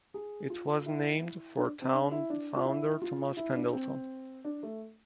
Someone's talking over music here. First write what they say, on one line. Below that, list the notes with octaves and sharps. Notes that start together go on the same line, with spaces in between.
It was named for town founder Thomas Pendleton.
G#4
F4
E4
D4
C4
D4
E4
D4
F4
E4
F4
E4
D4
C4
D4
A3